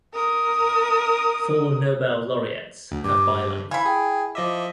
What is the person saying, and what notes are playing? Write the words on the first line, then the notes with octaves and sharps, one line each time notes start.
Four Nobel Laureates have bylines.
A#4 D#6
D2
G2 D6
E3 F5 B5 G#6
G#4 G5
F3 D#5 E5 D6